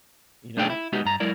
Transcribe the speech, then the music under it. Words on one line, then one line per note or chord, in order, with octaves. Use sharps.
you know?
A3 D4 D#4 F4 G#4 G5
E4
G#3 B3 D#4 F#4 G4
G2 A#5
F#3 G#3 E4 A#4 D5